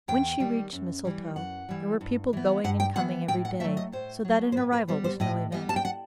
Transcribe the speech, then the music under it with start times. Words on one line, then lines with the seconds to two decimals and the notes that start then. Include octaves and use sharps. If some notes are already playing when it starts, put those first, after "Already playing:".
When she reached Mistletoe there were people going and coming every day, so that an arrival was no event.
0.08 E2 G5
0.40 D#3 G3
0.73 F#2
1.05 E3 G3
1.36 F#2 F#5
1.69 E3 G3
2.01 G2
2.33 E3 B3
2.64 G2 F#5
2.80 G5
2.96 E3 B3 F#5
3.28 A2 G5
3.45 F#5
3.60 F#3 A3 E5
3.77 D#5
3.92 A2 C5
4.25 F#3 A3
4.52 C5
4.56 A2 B4
4.72 B4
4.88 G3 B3 C5
5.04 C5
5.20 A2 D#5
5.52 G3 B3 D#5
5.69 A5
5.76 G5
5.85 F#5